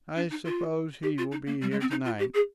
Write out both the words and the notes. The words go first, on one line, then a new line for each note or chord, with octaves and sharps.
"I suppose he will be here to-night?"
D4
D#4
F4
G4
F4
D#4
A#3
G3
G#3
C4
D#4
F4
G4
G#4